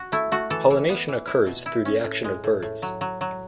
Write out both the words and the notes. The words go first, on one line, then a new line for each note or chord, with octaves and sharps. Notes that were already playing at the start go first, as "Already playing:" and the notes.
Pollination occurs through the action of birds.
Already playing: F#4
A3 E4
A3 F#4
E3 A4
E3
B3
E3
E4
B2
E4
C#4
A2
G#3
A2
A2
F#3
F#3
F#3